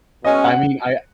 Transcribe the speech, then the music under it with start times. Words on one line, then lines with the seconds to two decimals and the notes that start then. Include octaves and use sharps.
I mean, I
0.24 B2 G#3 C#4 D#5
0.44 F#5